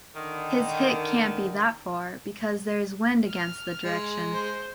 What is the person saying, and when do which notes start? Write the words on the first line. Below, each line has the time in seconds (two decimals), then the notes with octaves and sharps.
His hit can't be that far because there is wind against the direction.
0.15 D3 D#3
3.28 F6
3.85 G#3
4.33 C5